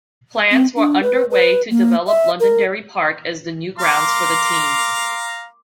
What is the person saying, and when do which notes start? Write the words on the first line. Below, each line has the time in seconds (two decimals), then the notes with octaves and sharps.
Plans were under-way to develop Londonderry Park as the new grounds for the team.
0.51 C4
0.76 D4
1.03 B4
1.31 B4
1.70 A#3
2.07 E5
2.40 A#4
3.79 F5 A#5 C6 D6